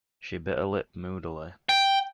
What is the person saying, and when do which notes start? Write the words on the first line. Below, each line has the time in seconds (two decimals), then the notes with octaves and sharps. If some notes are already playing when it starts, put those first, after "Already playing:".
She bit her lip moodily.
1.69 G5